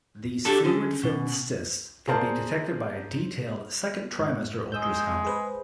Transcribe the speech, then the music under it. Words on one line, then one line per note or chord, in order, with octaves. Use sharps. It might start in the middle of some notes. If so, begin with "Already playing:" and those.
These fluid-filled cysts can be detected by a detailed second trimester ultrasound.
D4 F#4 G4 A4
D3 C#4
B2
G#4 A#4 C5 D5 A5
G#2
G#3 D#6 E6 G6
G#4 B4 C5